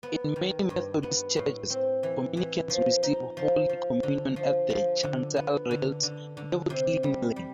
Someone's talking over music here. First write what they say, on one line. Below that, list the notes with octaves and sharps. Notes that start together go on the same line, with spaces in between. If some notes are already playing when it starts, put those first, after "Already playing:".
In many Methodist churches, communicants receive Holy Communion at the chancel rails, devoutly kneeling.
B3
D#3
G2
B3
A2
C4
E3
E3
F3
D#4
F3
F3
D3
F3
F3
D3
B3
D3
D3
D3
C3
G3
G3